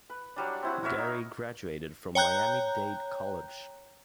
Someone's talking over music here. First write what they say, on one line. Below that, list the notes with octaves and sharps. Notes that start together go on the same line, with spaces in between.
Gary graduated from Miami Dade College.
B4
F#3 G3 D4
C4 E4 F#4
F#4 A#4 C#5 E5
D#4
C#5 G5 A#5 F#6 G6